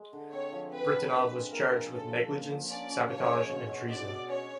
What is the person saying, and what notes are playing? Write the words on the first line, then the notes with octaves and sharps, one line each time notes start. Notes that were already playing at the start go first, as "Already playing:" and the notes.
Britanov was charged with negligence, sabotage, and treason.
Already playing: G#3
D3
C4 C#5
F3
C4 B4
D3
C4
G#3
A#3 A#4
F3
C#4 A4
F3
A#3
F3
C#4 D5
C#4
C#4 C#5
G#3
B2
B2
B2 D5
B2
C#4 C#5